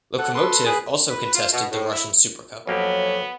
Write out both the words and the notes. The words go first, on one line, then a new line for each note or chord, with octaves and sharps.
Lokomotiv also contested the Russian Super Cup.
A4 F#5
A4 B4 C6
G#4 B4 B5
B4
F4
B2
A2
E4
F2 F3 F#3 A#3 B3 G4 A4 C#5